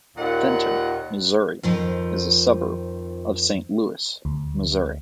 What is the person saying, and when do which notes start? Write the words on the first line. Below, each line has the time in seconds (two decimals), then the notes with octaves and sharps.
Fenton, Missouri is a suburb of Saint Louis, Missouri.
0.17 D#2 A#2 D#3 F#5
1.63 F2 D#3 F3
4.25 D2